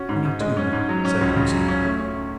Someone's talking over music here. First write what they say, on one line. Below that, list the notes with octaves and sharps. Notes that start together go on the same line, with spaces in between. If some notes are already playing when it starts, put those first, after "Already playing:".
'Twenty-two,' said Lucy.
Already playing: C#4 F#4
G#2
G#2
G#3
C#4
G#2
F#3
C#4
C#2
C#3
F#3
C#4
A3
C#4